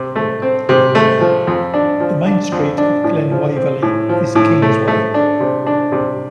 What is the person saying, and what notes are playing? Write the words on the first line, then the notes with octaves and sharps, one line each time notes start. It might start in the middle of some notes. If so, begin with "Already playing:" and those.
The main street of Glen Waverley is Kingsway.
Already playing: C3
A3
C4
C3
A3
F3
F2
D4
F3
D4
F2
D4
A2
F3
C4
A2
F3
A2
A3
A3
D4
C3
D4
C3